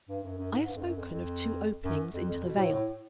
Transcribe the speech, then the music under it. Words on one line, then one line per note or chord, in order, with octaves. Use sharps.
I have spoken of two openings into the vale.
G2
F#2
F#2
G#2
G2
F2
F#2
F2
F2
F#2
F2
F2
B2
A2
A2